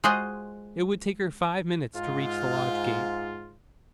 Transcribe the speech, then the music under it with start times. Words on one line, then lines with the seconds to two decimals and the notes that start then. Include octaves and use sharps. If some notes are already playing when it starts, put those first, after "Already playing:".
It would take her five minutes to reach the lodge gate.
0.04 G#3 F4 F#4 G#4 C5 D#5
1.95 G#2 F4